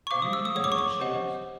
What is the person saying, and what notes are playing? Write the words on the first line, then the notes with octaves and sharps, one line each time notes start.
"Do you really mean it?" she asked.
C#6
C5 F5 D6
D#6
E6
D#6
G#4 C#5 F#5 D#6
D6
C#6
D6
G4 C5 D#5 F#5